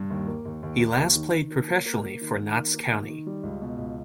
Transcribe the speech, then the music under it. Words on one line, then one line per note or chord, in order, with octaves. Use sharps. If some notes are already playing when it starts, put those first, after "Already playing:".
He last played professionally for Notts County.
Already playing: G2
D#2
A#3
D#2
D#2
A#3
D#2
D#3
D#3
A#3
A#3
A#3
A#3
D#3
D#3
A#3
A#3
D#3
D#3
G3
C#2
B2
C#2